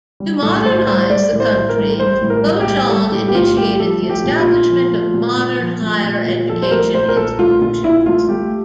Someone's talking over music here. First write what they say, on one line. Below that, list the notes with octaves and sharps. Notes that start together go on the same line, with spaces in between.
To modernize the country, Gojong initiated the establishment of modern higher education institutions.
G3
A2 A4
A2 C5
G3 C5
G3 D5
A2
C5
A2
A#4
G3
G3 C5
A2
A#4
A2
G4
G3
G3 A4
A2 G4
G4
A2 F4
G3 G4
F3 A4
A3
G4
A#2
F4
A#2
F3
A3
A#2
A#2
F3
A3
A#2
A#2
F3 A4
C5
A3 A#4
A#2 C5
A#4
A#2 A4
A3 F4
A#2 F4
A#2 E4
A3 F4
A3 G4